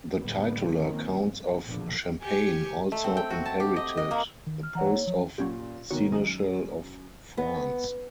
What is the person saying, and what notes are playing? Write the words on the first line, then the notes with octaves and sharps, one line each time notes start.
The titular counts of Champagne also inherited the post of seneschal of France.
F1 A2 D3 G3 B3
D#3 F3 A#3 C4 C#4
G2
F1 A#1 E2 B2 D3 F3
G4 G#5 C#7
A3
C4
G5
F#4
A5
G4
D#5
D#5
A#3
D#3
F6
E3 C#5 F#5 A#5
A#3 C#5
F3 F#3
A#2 F#3 C#4 G4
G#1 B2 D#3 A#3 F#4 C#5
F#2 D#3 G#3
B3